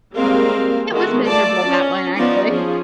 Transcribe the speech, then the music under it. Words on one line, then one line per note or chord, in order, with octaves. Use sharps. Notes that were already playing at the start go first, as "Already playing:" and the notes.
It was miserable that one, actually.
G3 G#3 A#3 C4 A#4 F5
D#3 G#3 A3 F#4
A3 F4 D5 A5
C#4
F3 B3 C#4 D#4 D5
F3 C#4 G#4